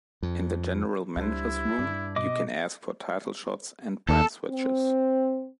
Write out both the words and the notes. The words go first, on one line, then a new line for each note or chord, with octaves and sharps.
In the General Manager's room, you can ask for title shots and brand switches.
F2
C#2 G3 A3 D4 E4 C5
G2 D4 D5
B2 D#5 D6
D#2 A4
C4